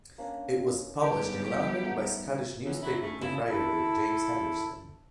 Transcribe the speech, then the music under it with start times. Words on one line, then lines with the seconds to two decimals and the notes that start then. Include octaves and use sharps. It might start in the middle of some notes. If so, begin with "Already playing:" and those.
It was published in London by Scottish newspaper proprietor James Henderson.
0.18 A#3 C#4 D4
1.03 G3 B3 G4 G#4 B4 A5
1.86 A3 D#4 F#5
2.64 E2 C#3
2.83 F#3 E4
3.03 C#3 A3
3.21 C#3 E4 F4 A4
3.49 E4 A4